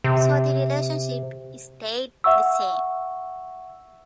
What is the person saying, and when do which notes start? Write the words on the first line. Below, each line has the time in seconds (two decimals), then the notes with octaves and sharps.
So the relationship stayed the same.
0.04 C3
2.24 E5 F#5 C#6 E6